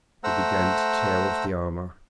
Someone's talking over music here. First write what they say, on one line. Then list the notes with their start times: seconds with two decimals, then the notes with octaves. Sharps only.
He began to tear off the armor.
0.24 A3 C5 F#5 A#5 E6